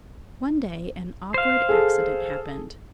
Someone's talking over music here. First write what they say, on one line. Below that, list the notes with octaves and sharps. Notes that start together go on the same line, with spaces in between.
One day an awkward accident happened.
C5 F5
G#4 A4